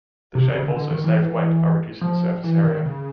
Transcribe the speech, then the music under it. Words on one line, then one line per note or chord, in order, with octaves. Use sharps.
The shape also saved weight by reducing the surface area.
C3
C#3
D3
D3
D#3
E3
F3
E3
D#3
C#3